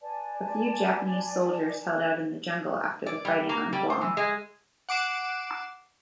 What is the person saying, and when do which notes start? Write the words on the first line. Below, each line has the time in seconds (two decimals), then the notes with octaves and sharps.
A few Japanese soldiers held out in the jungle after the fighting on Guam.
0.01 B4 D5 G#5 A5
3.06 D5
3.25 G3
3.49 A#3
3.73 G3
3.90 C5
4.01 E3
4.17 G#3
4.89 F#5 D6 C7 E7